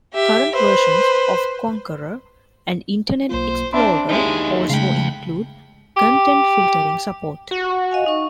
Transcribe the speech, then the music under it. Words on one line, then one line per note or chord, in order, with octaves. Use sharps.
Current versions of Konqueror and Internet Explorer also include content filtering support.
G4 E5
B4 C5
B1 A#3 F4 C5
C4 D4 E5 B5 C6
G#3 D#4 E4 G4
C#3 G#3 A3 F5 G5 B5
G4
F#4
D#5 F5 G#5
D#4 C#6